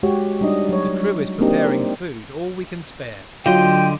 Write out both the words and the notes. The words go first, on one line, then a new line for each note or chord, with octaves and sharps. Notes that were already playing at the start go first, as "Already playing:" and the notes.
The crew is preparing food, all we can spare.
G#3 F#4 G4 C#5
G3 D4 D#4 D#5
F#3 C#5
A#3 C4 D4 D#4 G4 D#5
D3 F#3 F4 D#5 G5 C6